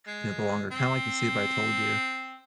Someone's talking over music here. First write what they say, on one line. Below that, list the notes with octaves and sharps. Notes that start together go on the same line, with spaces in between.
you know, the longer kinda like the soup I told you,
G#3
C4